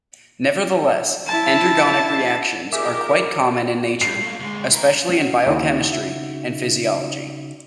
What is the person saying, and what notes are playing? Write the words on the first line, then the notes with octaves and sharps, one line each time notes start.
Nevertheless, endergonic reactions are quite common in nature, especially in biochemistry and physiology.
E4 A5
A#2 D#3 G4 G#4 A#4 E5 D6
A2 G3 C7
A3 A#3
D2 G#3
E4 A#4
C#4 F#4
D#2 C#3 D#4 E4 F#4
E5